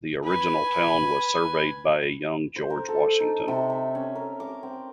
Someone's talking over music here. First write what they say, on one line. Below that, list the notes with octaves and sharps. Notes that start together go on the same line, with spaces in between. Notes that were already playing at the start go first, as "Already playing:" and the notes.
The original town was surveyed by a young George Washington.
B4 G#5
C5
A#4
A4
D#4
C3
E5
C#4
A#4
D6
C4